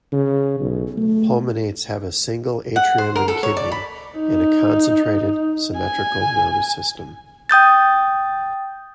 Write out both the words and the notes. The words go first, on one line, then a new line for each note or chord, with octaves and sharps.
Pulmonates have a single atrium and kidney, and a concentrated, symmetrical, nervous system.
C#3
B1
A3
F#5
C5
A#4
A4
C#5
D5
B5
D#4
G#5
G5 D#6 G6 A6